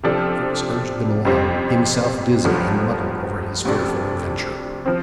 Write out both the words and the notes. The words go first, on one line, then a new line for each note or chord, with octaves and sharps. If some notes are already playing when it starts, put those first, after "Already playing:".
Fritz urged them along, himself dizzy and muddled over his fearful adventure.
C3 F3 D4 A4
F2 C3 G3 C4
G1 G2 D3 F3 A3
D2 C3 F3 D4 A4
F3 C4